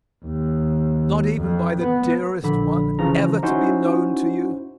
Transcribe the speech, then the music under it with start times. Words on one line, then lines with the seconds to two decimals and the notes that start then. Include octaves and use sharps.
"Not even by the dearest one ever to be known to you?"
0.24 D#2
1.37 F2
1.80 B3
2.43 A#1 D3 B5
2.99 C#3 E3 F3 A#5
3.43 C#4 D#4 E4 F#4 C5